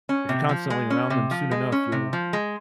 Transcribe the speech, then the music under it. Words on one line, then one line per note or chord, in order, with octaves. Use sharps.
if you're constantly around them, soon enough you'll
C#4
C3
F3
G#3
C#4
C3
F3
G#3
C#4
C3
F3
G#3